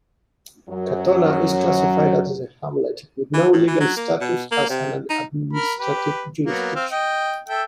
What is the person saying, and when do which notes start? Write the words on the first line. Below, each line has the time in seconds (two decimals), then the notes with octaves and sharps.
Katonah is classified as a hamlet, with no legal status as an administrative jurisdiction.
0.69 F#2 F#3
3.34 E3
3.53 A2
3.67 E3
3.80 F#3
3.96 A#3
4.21 B2
4.52 A#3
4.69 C3
5.10 D#4
5.53 A#4 B5
5.79 G4 B4
6.46 F#3 A#3 B3
6.75 C4 F5
6.92 D#5 G5
7.49 A4 E5 G5